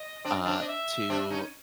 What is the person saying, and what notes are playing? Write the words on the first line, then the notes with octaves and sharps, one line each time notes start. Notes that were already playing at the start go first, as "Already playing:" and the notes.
uh, to
Already playing: D#5
C4 D4
C4 D4
D#5
E5
C4 D4
C#4 D#4